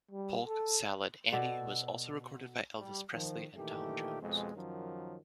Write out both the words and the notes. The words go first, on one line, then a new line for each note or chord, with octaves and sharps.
"Polk Salad Annie" was also recorded by Elvis Presley and Tom Jones.
G3
A4
B2 A4 D5
G3
D#3 F3
A#2 D#3 E3 A3 G4
F2 B2 G#3
F#2 D#3 F3 F#3